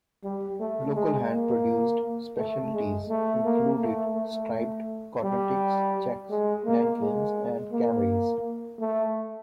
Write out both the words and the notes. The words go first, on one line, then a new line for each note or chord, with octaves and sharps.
Local hand-produced specialities included striped cotton ticks, checks, Nankeens and Camrays.
G3
A3
G#3
A#3
A3
G#3
A3
A#3
A3
A3
G3
G#3
A#3
G#3
A#3
A3